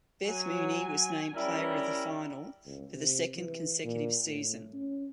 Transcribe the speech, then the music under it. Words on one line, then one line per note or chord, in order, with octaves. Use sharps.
Beth Mooney was named Player of the Final for the second consecutive season.
F#3 G#5
G3 C#4 E4 A#4
C#2
C3
E3
A#2
A2
C#4